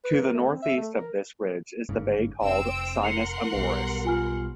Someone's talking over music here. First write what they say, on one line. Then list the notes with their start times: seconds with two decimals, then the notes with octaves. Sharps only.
To the northeast of this ridge is the bay called Sinus Amoris.
0.04 B4
0.21 A#4
0.34 A3
0.47 C4
0.62 E5
0.77 A3
0.94 A#4
1.89 G1 G#2 C#3
2.42 F1 C4 E6 D7
3.03 A#4 F#5 C6 C7 C#7 F7
3.54 B1 B2 G3
4.05 F4 G#5 F6